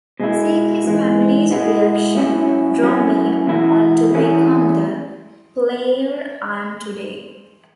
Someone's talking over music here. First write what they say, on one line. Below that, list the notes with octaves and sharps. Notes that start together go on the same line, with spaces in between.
Seeing his family's reaction drove me on to become the player I am today.
B2 G#3 E4
G#2 E3 G#3
B2 G#3 B3 E4
F#2 F#3 C#4 E4
F#2 F#3 C#4 E4
E2 B2 B3 E4
E2 E3 C#4 E4